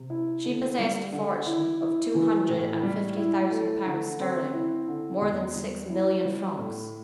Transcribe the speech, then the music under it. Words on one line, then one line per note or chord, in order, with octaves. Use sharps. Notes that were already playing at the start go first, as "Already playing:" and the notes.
She possessed a fortune of two hundred and fifty thousand pounds sterling, more than six million francs.
Already playing: C3
E4
D3
G3
D3
E4
E4
E3
A2
G3
E4
A3
D3
C4
E4
D3
E2
G3
E4
G3
A2